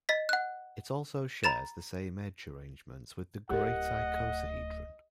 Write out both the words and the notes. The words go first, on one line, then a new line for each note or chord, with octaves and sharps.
It also shares the same edge arrangement with the great icosahedron.
D#5 A6 B6
F#5 F#6
A#5 B5 A6 E7
D1 A3 G4 A#4 D#5 F#5